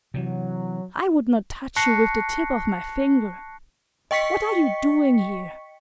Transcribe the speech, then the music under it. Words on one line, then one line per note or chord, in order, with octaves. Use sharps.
I would not touch you with the tip of my finger. What are you doing here?
C3 E3 F#3
A5 C#6 F#6 A#6 C7 C#7
D#5 G5 C#6 B6 C#7